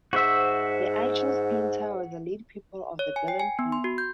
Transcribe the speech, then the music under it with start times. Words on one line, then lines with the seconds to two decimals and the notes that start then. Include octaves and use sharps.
The Achilles Painter was a late pupil of the Berlin Painter.
0.13 G#2 F#4 C5 E5
2.99 C#5
3.16 G#5
3.28 G5
3.39 G#5
3.59 B3
3.72 C6
3.84 F#4
3.98 G6